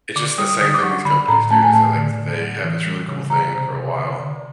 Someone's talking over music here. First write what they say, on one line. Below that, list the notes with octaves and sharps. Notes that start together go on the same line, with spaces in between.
it's just the same thing these companies do, so, like, they have this really cool thing for a while,
D3 D6
G3 D#6
D3 D#6
D6
F#3 C#6
D3 B5
A2 A#5
A3 A5
G#5
A2 A5
D3
D3
F#3
E3
G3
C#3
C3 A#5
C3
C3
D3
D3